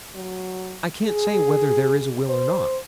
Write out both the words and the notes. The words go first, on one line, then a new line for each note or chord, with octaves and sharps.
I can't say whether there is a will or not.
F#3
G#4
C5